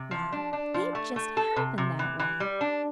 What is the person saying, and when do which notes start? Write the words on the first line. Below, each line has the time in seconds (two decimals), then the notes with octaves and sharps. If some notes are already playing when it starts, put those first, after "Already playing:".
Why, it just happened that way.
Already playing: C3
0.11 F3
0.32 D4
0.53 D4
0.74 F3
0.95 A3
1.16 A3
1.37 A4
1.56 C3
1.78 C3
1.99 E3
2.19 E3
2.40 G3
2.61 D4